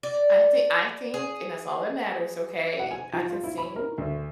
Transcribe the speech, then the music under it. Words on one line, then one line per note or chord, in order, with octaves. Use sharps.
I thi I think and that's all that matters, okay, I can sing,
D5
G#4
F#5
G#5
F3
F4
E4
B5
A#4
D2